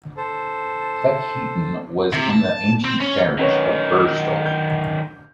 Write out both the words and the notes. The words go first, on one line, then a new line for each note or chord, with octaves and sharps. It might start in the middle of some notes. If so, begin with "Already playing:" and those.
Cleckheaton was in the ancient parish of Birstall.
A4 C5
C3
A5
C4
C#4
F#2 D#3 C#4 B4 C#5
G6